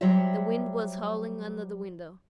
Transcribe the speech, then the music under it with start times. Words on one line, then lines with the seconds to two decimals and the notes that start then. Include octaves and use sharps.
The wind was howling under the window.
0.01 F#3 G3 F#4 C5 C#5 E5